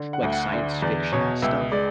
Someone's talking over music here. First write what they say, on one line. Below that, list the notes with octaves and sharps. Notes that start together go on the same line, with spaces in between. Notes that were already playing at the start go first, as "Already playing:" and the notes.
like, science fiction stuff?
Already playing: D3
F#5
D2
F#5
D3
E2 D5
B2 C#5
C#2 E5
G#3 D5